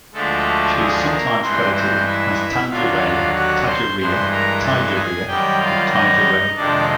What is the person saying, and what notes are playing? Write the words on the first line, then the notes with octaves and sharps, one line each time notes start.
She is sometimes credited as Tanja Rae, Taja Rea, Taija Rea, or Taija Ray.
D2 D3 F3 G#3 A3 A4
G#3 G#4
A#3 A#4
G2 E3 G#3 C4 C5
C4 C5
E4 E5
D#2 D3 F#3 F4 F5
F#4 F#5
C5 C6
G2 E3 G#3 C5 C6
A#4 A#5
A4 A5
G#4 G#5
F#2 D#3 G3 G4 G5
F4 F5
D#4 D#5
F2 C3 D#3 G#3 D4 D5